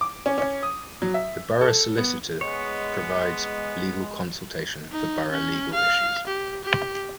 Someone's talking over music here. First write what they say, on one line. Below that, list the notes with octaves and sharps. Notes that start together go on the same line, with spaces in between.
The borough solicitor provides legal consultation for borough legal issues.
D6
C#4
C#4
D#6
F#3
E5
A4
B3
G#3 B3 C#5
D#4
C#4
F5
G4
G4